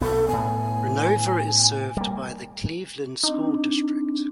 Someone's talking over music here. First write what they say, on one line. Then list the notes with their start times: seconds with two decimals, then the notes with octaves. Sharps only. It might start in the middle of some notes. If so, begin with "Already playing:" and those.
Renova is served by the Cleveland School District.
0.01 B1 B3 A4
0.28 A2 B3 G#5
1.97 G3 A#3
3.23 C4 D4 D#4